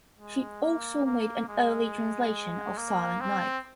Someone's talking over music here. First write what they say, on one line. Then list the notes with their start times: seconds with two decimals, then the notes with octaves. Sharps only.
She also made an early translation of Silent Night.
0.19 G#3
0.62 A#3
1.06 A#3
1.49 G#3
2.77 A#3
3.21 C4